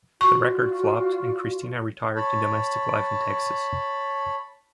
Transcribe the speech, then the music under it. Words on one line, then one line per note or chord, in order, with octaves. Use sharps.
The record flopped, and Cristina retired to domestic life in Texas.
F4 F#4 D5 C#6
C#5 A5 B5